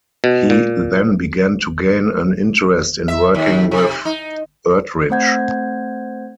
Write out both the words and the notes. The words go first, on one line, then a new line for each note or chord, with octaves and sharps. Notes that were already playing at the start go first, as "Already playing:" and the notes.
He then began to gain an interest in working with Erdrich.
B2
A#2
E5
D#2
C3
D#4
A3 C4 C5 F#5 G6 G#6